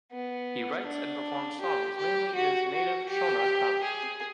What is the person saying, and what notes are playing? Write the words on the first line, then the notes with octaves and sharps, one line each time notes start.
He writes and performs songs mainly in his native Shona tongue.
B3
D4
G4
G4
F#4
F#4
G4
G#4